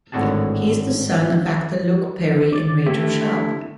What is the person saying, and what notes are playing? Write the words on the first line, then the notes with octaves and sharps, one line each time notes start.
He is the son of actor Luke Perry and Rachel Sharp.
G#1 A2 D3 F#4 G#4 A5
D6 A6
D3 A3 E4 G4